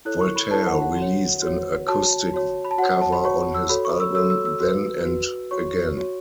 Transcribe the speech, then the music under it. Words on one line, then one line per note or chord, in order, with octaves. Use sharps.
Voltaire released an acoustic cover on his album "Then and Again".
E4 A4 C#5 F#6
C#6
B5
E4 A4 C#5 A5
F#5
F#5
F#4 C#5
F#4 C#5
F#4 C#5 A5
F#4 C#5
B5
A5
F#4 C#5 F#5
F#5
A5
B5
F#4 C#5 C#6
E6
F#4 A4 C#5 B5
C#6
E6
F#4 A4 C#5 E6
E6
E6
F#4 B4
F#4 B4
F#4 C#5 C#6
F#4 C#5